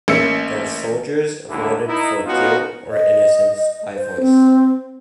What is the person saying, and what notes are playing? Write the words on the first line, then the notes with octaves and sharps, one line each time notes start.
The soldiers voted for guilt or innocence by voice.
A1 A#3 C#4 E5 E6 C#7
D#2 G#2 D3 E4
D#4 E4
B3 C#4 D#4 F4 F#4
D#5
C5
C4